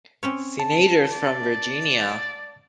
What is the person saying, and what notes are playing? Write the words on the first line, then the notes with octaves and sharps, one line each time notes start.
Senators from Virginia.
C4 C#4 C#5
A5
D5